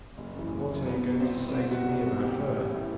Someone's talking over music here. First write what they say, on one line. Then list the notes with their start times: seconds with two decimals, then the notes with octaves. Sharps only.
"And what are you going to say to me about her?"
0.18 F#1
0.35 F#2 E3
0.52 F#1
0.69 F#2 E3
0.86 C2 B3
1.03 B2
1.20 C2 C4
1.37 B2
1.48 B3
1.54 C2 C4
1.71 B2 F#4
1.89 C2
2.06 B2
2.23 A1 G4
2.40 A2 E3
2.57 A1
2.74 A2 E3